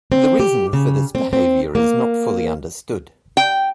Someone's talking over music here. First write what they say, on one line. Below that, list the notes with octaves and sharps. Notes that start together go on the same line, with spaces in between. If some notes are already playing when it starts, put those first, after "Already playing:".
The reason for this behaviour is not fully understood.
C4
G4
C#3
C4
C4
A#3
G5